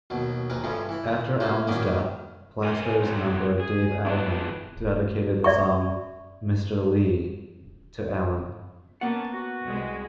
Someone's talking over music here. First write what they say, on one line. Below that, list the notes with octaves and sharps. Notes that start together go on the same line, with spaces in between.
After Allen's death, Blasters member Dave Alvin dedicated the song "Mister Lee" to Allen.
D#2 B2 F#3
A#1 D#2 A#4 B4 G#5
G2 C#3 F3 G#3 A3
E3 B5
A#3 C#4 F4 F#4
D#3 F#3 G3 A#3 B3 C#4
A#4 B4 G#5
F#3 G3 C4 D#4
G#4
B3 D4 E4 G#4 B4
D5 E5 C#6
A#3 B3 C#4 F#5 A5
F#4
C2 G#3